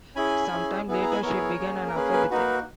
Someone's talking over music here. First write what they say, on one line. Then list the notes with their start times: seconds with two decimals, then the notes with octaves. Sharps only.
Some time later she began an affair with him.
0.15 C#4 E4 G#4 G#5 B5
0.52 C#4 E4 G#4
0.88 B3 E4 G#4
1.02 A#5
1.11 G#5 B5
1.22 B3 E4 G#4 A#4 C#5
1.58 A#3 C#4 G#4
1.87 A#4
1.95 A#3 C#4 G#4 B4
2.13 B4
2.31 A#3 D#4 F#4 B4